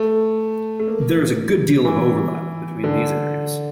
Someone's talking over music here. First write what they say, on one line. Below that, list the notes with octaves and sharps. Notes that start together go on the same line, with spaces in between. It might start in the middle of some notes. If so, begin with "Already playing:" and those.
There is a good deal of overlap between these areas.
Already playing: A3
A3
A#3
E3
D3